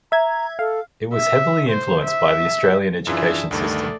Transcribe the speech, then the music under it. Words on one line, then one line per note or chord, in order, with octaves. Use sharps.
It was heavily influenced by the Australian education system.
E5 A#5 G#6
A4 F5
E5
C5
E5
F#2 E3 D4 F4 G#4 E5
D2 G2 D#3 A3 D5 D#5